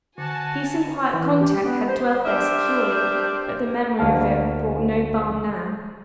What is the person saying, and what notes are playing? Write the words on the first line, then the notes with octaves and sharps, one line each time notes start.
Peace and quiet content had dwelt there securely, but the memory of it brought no balm now.
D3 F#4 G#5 A5
E3
G4
B3
C5
D4 G4 A#4 C5 D5 E5
D2 A#3 F5 A5